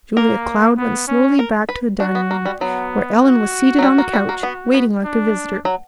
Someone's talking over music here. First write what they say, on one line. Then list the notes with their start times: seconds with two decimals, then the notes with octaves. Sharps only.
Julia Cloud went slowly back to the dining-room, where Ellen was seated on the couch, waiting like a visitor.
0.17 A#3 A#4
0.77 B3
1.08 C#4
1.39 A#4
1.69 B4
2.00 D4 F#4
2.15 B3
2.31 A#3
2.45 G3
2.61 F#3 B3
3.22 F#4
3.79 F#3
3.83 G3
3.98 A#3
4.13 G3
4.29 A#3
4.43 B3
4.74 B3
5.04 D4
5.65 F#3